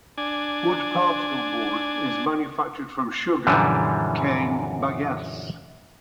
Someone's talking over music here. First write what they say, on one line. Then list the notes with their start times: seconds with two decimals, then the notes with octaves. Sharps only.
Wood particleboard is manufactured from sugar cane bagasse.
0.17 D4 G#5
3.47 F#2 A#2 D3 E3 F3 G3